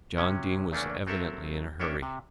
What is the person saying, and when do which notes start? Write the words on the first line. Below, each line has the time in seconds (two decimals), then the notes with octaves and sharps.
John Dene was evidently in a hurry.
0.18 C3 F#3 C#4
0.72 E2 C#3 A3 A#3 C#4 D4
1.07 F#3 C4 A4 A#4 E5
1.80 A#3 C#4 D4 C#5 E5 G5
2.02 C3